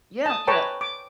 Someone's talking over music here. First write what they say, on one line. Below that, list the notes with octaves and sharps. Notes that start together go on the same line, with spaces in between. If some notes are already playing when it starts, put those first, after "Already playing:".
Yeah, yeah,
A5 D#6
B4 C#5 G5 A5 A#5
D6